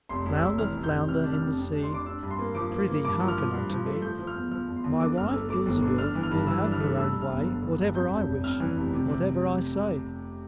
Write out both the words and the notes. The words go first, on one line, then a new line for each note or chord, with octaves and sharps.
"Flounder, flounder in the sea, Prythee, hearken unto me: My wife, Ilsebil, will have her own way Whatever I wish, whatever I say."
F1 C6
F1
E6
F1
E3 F6
F1
G6
F1
C3 F6
D4
F6
F2
F2
D4
C6
D4 D6
D4 E6
G2
C6
A#3
F3 D6
A#3
A#3
G2 D6
F3
F6
F3
G2
F3
A3
F3 G6
F3
F6
E2
F3 F6
E2
C6
E2
D3 D6
G1 F6
E6
A3
A3 D6
G1
D3
D4 F6
E3
F6
G2
E3 E6
D4
F6
A3
G2 E6
G2
F6
G1
D3
D3
G2
F2 G6
F1
F1
F2 F6
E3
F1
C3
C3